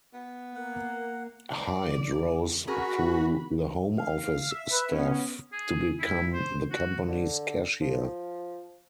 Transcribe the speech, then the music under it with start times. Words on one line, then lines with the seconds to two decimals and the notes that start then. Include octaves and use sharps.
Hyde rose through the home office staff to become the company's cashier.
0.14 B3
0.55 A#3 F#5
1.50 D5
2.67 C#4 F#4 G#4 A#4 B5
3.98 F5
4.51 E5
4.72 B4
4.92 B3 C#4
5.52 G#4
6.00 E4
6.33 C5
6.71 F#4
7.07 D3
7.81 F3